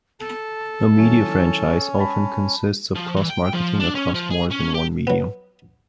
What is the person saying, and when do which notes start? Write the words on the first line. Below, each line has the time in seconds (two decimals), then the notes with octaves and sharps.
A media franchise often consists of cross-marketing across more than one medium.
0.19 A4
0.98 D#3 F#3 C#4 E4
1.99 A5 B5
2.95 F3
3.16 E3
3.29 G5
3.53 F3
3.80 D4
3.95 C#4
4.14 F3
4.30 G#4
4.51 C#4
4.74 G4
5.07 F#3 B3